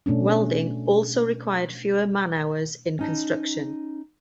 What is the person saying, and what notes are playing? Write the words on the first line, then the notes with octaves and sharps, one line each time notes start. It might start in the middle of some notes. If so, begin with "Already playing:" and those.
Welding also required fewer man-hours in construction.
B2 A3 C#4 D4
C#4 D#4 A5